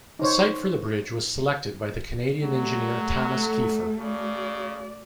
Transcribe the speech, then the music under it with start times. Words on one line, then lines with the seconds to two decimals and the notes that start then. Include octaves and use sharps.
A site for the bridge was selected by the Canadian engineer Thomas Keefer.
0.19 D#4 C5 C#5
2.43 F#3 G3 A3
3.40 A4
3.99 C#3 F#4 D5